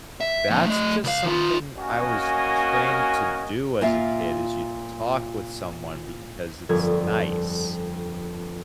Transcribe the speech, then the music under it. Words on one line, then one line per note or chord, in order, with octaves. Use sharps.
"That's just something I was trained to do as a kid is you talk with someone because it's nice."
E5
F2 A#2
A3 D#5
C#2 F5
D#3 F4
A#3 C#4 F#4 A#4 D#5 G#5
A#2 F4 E5 F5
G1 F2 A#3 G#6